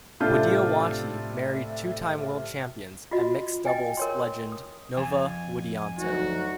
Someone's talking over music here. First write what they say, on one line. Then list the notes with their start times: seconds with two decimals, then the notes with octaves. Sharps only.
Widiowati married two-time world champions and mixed doubles legend Nova Widianto.
0.20 A2 C3 D4 F4 A4 G6
3.11 F4 F#4 D#5
3.65 D#5 G5 G#5
3.97 A#4 C#5 C6
4.52 D#6
4.97 F2 G#5
5.98 D2 F#3 D#4 F#4